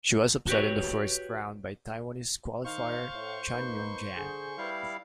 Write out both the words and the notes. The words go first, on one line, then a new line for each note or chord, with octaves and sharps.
She was upset in the first round by Taiwanese qualifier Chan Yung-jan.
F#4 G4 B4 C#5
D#3 D#4 C5 F5 C#6
A2
A#3 D#4 B4 G6
D3 G#4
G3 E4 B4 F5